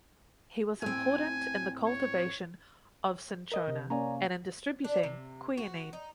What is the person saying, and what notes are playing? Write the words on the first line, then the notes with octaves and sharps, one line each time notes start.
He was important in the cultivation of "Cinchona" and in distributing quinine.
A2 C4 G#5
C#5
A#4 D#5
C3
A#3 C#4 D5 G#5 A#5
D4
C3
F#4
D#4